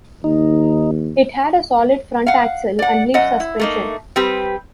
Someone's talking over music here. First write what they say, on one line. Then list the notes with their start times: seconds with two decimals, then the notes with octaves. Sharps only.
It had a solid front axle and leaf suspension.
0.24 D#2 D#4
2.27 F5 F#5
2.79 D5 F#5
3.14 F#2 D#5 F#5
3.40 E4
3.60 A3 A#3 D#4
4.16 G3 C4 G4 B4